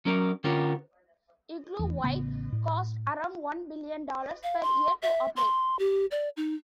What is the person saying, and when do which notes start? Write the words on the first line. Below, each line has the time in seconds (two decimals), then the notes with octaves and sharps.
"Igloo White" cost around one billion dollars per year to operate.
0.05 F#3 C#4 A#4 D5
0.44 D3 C#4 F4 G4 A#4 C#5
1.79 F1 E2
2.04 A1 C#3 B3
2.52 A2
4.43 F5
4.63 C6
5.02 E5
5.36 C6
5.79 G4
6.11 D5
6.37 D#4